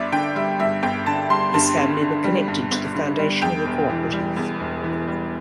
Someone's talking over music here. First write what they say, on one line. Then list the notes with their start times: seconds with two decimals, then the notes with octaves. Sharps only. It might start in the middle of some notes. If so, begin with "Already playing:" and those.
His family were connected to the foundation of the co-operative.
Already playing: G1 G2 D5 E5
0.12 D3 G5
0.36 G3 E5
0.59 G2 E5
0.83 G1 G5
1.06 D3 A5
1.30 G3 C6
1.54 G2 A5
1.77 G1
2.01 D3
2.24 G3
2.48 G2
2.71 G1
2.95 D3
3.19 G3
3.42 E2 G5
3.66 E1
3.89 E3
4.13 G3
4.36 E2
4.60 E1
4.84 E3
5.08 G3